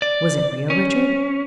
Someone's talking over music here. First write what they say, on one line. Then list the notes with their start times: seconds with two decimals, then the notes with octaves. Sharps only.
"Was it real, Richard?"
0.02 D5
0.70 C#4